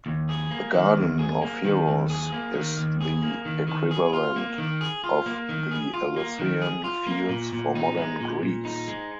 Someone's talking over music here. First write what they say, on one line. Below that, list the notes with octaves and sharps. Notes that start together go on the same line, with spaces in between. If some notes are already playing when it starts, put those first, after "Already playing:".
The Garden of Heroes is the equivalent of the Elysian Fields for modern Greece.
D#2
G#4
A#3
D#3
D#2
G#4
A#3
D#3
D#2
G#4
A#3
D#3
D#2
G#4
A#3
D#3
D#3
G#4
F4
A#3
D#3
G#4
F4
A#3
D#3
G#4
F4
A#3
D#3
G#4
F4
A#3
A#2
A#2
D#4
G#3
A#2
A#2
D#4
G#3